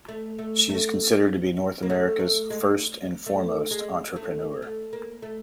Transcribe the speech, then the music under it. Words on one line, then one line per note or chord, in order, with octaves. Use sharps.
She is considered to be North America's "first and foremost entrepreneur".
A3
A3
A3
A#3
A3
A3
G#3
A3
G#3
A3
A3
A#3
A3